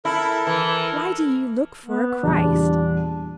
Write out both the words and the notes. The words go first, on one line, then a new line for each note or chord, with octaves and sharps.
Why do ye look for a Christ?
E4 A4 A#4
E3
B3
E2 A#2 G3 D4